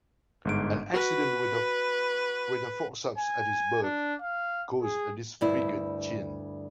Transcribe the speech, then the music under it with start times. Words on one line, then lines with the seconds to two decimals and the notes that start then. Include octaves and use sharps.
An accident with a forceps at his birth caused a disfigured chin.
0.45 G1 G#2 D7
0.93 F#4 B4
3.18 G#5
3.83 D4
4.22 F5
4.82 G#4
5.41 D2 G2 E4